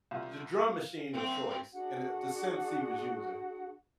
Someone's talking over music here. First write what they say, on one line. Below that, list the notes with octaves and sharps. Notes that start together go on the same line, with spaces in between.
the drum machine of choice and the the synths he was using.
C2 F4
F5
F#1 C4
D4 F#4 G#4 F#5